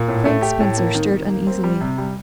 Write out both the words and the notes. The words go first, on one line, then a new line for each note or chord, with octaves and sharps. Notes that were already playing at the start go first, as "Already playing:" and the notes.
Frank Spencer stirred uneasily.
Already playing: A#2
A2
A3
G4
A2
A#3
D#3
D#3
A#3
C4
G3
C3
G3